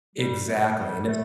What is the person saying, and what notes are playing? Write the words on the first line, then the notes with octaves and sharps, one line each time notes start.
Exactly, and it's
G3
A3
G3
A3